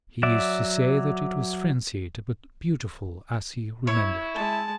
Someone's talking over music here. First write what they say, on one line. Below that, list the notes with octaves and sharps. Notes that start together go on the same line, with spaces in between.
He used to say that it was frenzied but beautiful as he remembered.
F#3 D5 E5
E4 C#5
G#3 A5